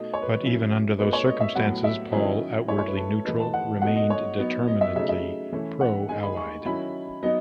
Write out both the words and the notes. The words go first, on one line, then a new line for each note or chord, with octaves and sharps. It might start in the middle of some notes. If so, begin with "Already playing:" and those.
But even under those circumstances Paul, outwardly neutral, remained determinedly pro-Allied.
Already playing: B2 A3 D#4 D#5
C#5
B4
F#3 C#4 E4
B2 A3 D#4 B4
C#5
D#5
E5
A2 F#3 B3 F#5
E5
D#3 F#3 C#4 E4 D#5
F#3 A3 E4 C#5
C#5
B4
A4
E3 A3 D#4 B4
A5
F#5
B2 A3 D#4 F#5
D#5
C#5
F#3 B3 D#4
D#5
E5
C#3 F#3 A3 D#4 E5
E5
E3 A3 C#4 E4
F#5
D#3 G#3 D#4 G#5
B5
C#6
D#3 F#3 C#4 E4 B5
F#3 B3 D#4 D#5